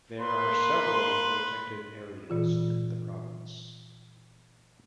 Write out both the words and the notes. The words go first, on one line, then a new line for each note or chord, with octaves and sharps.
There are several protected areas in the province.
A#3 B4 C6
A#2 E3 F4